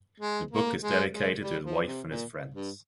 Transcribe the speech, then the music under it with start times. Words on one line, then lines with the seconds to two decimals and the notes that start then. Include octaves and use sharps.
The book is dedicated to his wife and his friends.
0.20 G#3
0.51 A#3
0.81 G#3
1.11 G#3
1.41 G3
1.64 F3
1.86 C3
2.09 A#2
2.54 G2